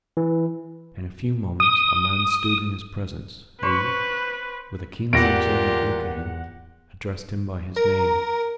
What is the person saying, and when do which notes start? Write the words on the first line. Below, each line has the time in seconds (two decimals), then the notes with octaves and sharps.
In a few moments, a man stood in his presence, who, with a keenly observant look at him, addressed him by his name.
0.17 E3
1.60 D#6
3.63 B4 C5 B5 C#6
5.13 E2 A#2 F4 G4 F#5 A#6 D7
7.76 A#4